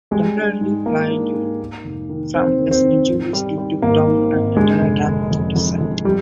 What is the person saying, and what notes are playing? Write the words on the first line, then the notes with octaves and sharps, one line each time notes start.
Temporarily blinded from his injuries, he took down an entire gang without his sight.
G3 G#3
D4
G#2
A#3 F4
D4
G#2
A#3
F1
D#3
D#2 C4
D#2
C4
D#3
G#2
G3
G3
G#1 A#3
G#2
G#1
D3 G#3
F1
F1
F2
F2
F2
F3 G3